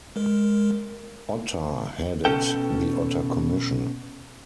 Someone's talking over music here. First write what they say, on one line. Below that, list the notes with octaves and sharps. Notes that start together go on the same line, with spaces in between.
Otter headed the Otter Commission.
G#3 A#4
B2 C#4 A4 G5